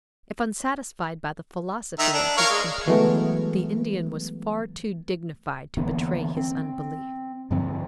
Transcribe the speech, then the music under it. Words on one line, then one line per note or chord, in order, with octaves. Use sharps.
If unsatisfied by the philosophy of his companion, the Indian was far too dignified to betray his unbelief.
D#3 E5 A#5
D4
A#4 C#5 F5
G#3
E3 F#3 G#3 A3 B3
D3 E3 A#3 B3
C4
G2 D3 F3 C4